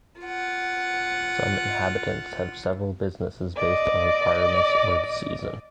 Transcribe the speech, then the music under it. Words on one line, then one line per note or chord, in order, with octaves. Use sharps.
Some inhabitants have several businesses based on requirements or the season.
F4 F#5
D5 D#5